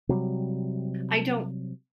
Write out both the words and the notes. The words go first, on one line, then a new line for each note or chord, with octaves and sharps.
I don't
C3 F#3 G3